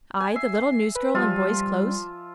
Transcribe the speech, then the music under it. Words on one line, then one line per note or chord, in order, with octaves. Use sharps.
I, the little newsgirl in boy's clothes?
G#5
E5 C7
B4
F3 G3 F4 E5